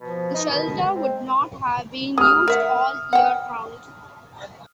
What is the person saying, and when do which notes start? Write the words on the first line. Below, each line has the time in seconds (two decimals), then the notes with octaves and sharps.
The shelter would not have been used all year round.
0.01 B2 F3
0.34 D#4
0.51 B2 D#3
0.70 G#3
0.96 C4
2.18 E3 D#6 F6
2.48 A#4 E5 F#5
3.13 F#5 G5